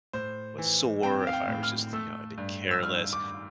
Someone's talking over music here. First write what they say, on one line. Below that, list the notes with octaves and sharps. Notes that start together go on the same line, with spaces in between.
was sore, if I was just, you know, a bit careless,
A2 C5
E3
C4 G5
F5
G5
A2
F6
A3 E6
G2
E6
G2 F6
D6